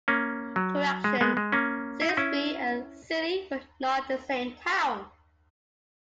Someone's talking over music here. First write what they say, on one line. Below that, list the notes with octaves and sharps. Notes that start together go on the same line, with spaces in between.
Correction: Silsbee and Seeley were not the same town.
A#3 C#4
F#3
G#3
G#3 B3
G#3
A#3 C#4
E4
D#4
C#4 E4